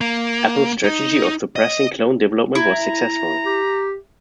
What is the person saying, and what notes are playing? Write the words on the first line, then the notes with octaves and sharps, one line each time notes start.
Apple's strategy of suppressing clone development was successful.
A#3
D#4
D#5
E4 A#5
G4